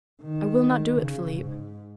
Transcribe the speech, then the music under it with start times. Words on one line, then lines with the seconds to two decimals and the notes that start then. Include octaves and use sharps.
"I will not do it, Philip."
0.23 D#3
0.99 C#3
1.38 G#2